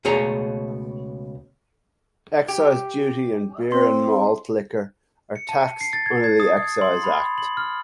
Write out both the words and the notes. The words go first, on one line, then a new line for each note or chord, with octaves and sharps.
Excise duties on beer and malt liquor are taxed under the Excise Act.
C#2 B2 A3 G#4 C#5 A#5
G4
C4 C6
C#7
A5
C7
A6
G#6
G#6
D#6
G#6
C6
B5
F#7
F6